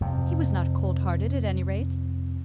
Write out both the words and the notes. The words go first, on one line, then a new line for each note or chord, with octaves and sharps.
He was not cold-hearted, at any rate.
F2 C3